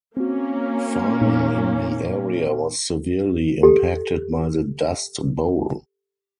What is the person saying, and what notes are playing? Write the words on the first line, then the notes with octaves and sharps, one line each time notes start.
Farming in the area was severely impacted by the dust bowl.
A#3 C4 C#4 F#4
A#2 B3 D#4
G4 A4